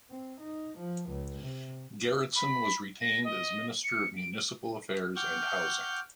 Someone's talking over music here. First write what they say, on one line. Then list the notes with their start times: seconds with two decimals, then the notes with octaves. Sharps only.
Gerretsen was retained as Minister of Municipal Affairs and Housing.
0.10 C4
0.41 D#4
0.78 F3
1.10 C#2
1.42 C3
2.36 B5
3.01 A#6
3.24 D#5
3.84 C#7
4.17 D7
5.16 F#5 G5 C#6 D6 F6 G6